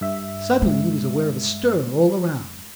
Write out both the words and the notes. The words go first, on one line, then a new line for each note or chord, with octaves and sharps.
Suddenly he was aware of a stir all around.
G2 E5
G#3